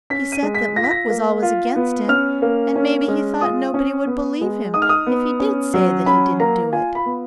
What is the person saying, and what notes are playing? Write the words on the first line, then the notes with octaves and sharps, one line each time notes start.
"He said that luck was always against him, and maybe he thought nobody would believe him if he did say that he didn't do it."
C#4 B6
D#7
G#3
B6
F4 A#6
B6
A#6
A#3
F4
B3
C#4 F6
A#3
C#4
G#3
F4 D#6
C#4
B3
G#3
D#4 D#6
F6
D#6
B3
C#4
F#3
C#4 B5
A#3 A#5
F4 G#5
B5
B3